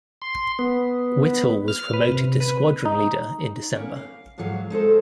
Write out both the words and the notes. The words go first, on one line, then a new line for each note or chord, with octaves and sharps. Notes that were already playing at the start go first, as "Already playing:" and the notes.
Whittle was promoted to Squadron Leader in December.
C6
B3
F6
B4
C3
B4
D#4
A#3 B3 C#4
F5
D2 G#2 F3 F#3 F5
G#3 D#4 A4 C5